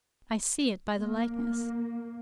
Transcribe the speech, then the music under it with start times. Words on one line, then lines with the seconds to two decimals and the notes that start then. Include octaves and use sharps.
I see it by the likeness.
1.01 A#3